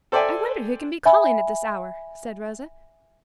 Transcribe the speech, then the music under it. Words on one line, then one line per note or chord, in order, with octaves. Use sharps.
"I wonder who can be calling at this hour," said Rosa.
A4 C5 D5 E5 G5 G#5
E5 G#5 B5